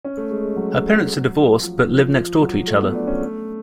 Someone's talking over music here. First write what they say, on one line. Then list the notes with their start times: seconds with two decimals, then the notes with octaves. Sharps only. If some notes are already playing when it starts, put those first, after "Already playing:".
Her parents are divorced but live next door to each other.
0.04 C#4
0.17 A3
0.31 G#3
0.43 G#3
0.57 F#3
1.62 F3
1.88 F3
2.15 F3
2.41 F#3
2.67 A3
2.81 B3
2.95 D4
3.07 C#4
3.21 A3